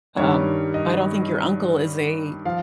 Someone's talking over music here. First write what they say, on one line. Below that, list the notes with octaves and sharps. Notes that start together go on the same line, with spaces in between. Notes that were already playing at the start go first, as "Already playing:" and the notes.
Um, I don't think your uncle is a
G2 D#3 G3 C#5
D#5
F3 F5